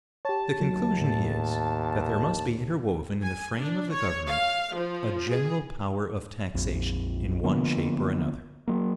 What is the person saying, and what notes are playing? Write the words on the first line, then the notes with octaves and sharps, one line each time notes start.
The conclusion is, that there must be interwoven, in the frame of the government, a general power of taxation, in one shape or another.
G4 C#5 A5
D#2 F#3
A2
G#5
D4
C#5
F5
F3
G#4
A#1 F2
D3 F3 A#3 B3
F#3 A#3